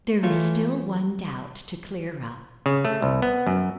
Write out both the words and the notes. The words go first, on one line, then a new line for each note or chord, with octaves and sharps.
There is still one doubt to clear up.
E3 A3 F4 C#5
C#3
A3
C2
B3
F#2